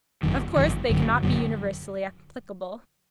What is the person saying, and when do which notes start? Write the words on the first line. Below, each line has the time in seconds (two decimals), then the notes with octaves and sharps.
Of course, they cannot be universally applicable.
0.23 G#1 F#2 D#3
0.56 G#1 F#2 D#3
0.89 G#1 F#2 D3 F#3
1.23 G#1 F#2 D3 F#3